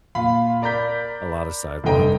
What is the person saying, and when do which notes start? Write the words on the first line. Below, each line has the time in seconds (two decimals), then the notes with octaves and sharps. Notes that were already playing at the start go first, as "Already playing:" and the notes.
a lot of sidewalk.
0.15 A#2 F4 F5 B5
0.62 A#4 D5 A#5 B5 G6 B6
1.84 F1 G2 D3 D#5 G5 A#5